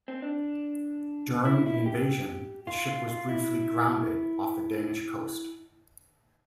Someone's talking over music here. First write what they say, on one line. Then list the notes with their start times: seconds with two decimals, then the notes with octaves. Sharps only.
During the invasion, the ship was briefly grounded off the Danish coast.
0.08 C4
0.22 D4
1.45 E4
1.66 E4
1.86 G4
2.67 F4
2.88 F4
3.08 F4
3.29 E4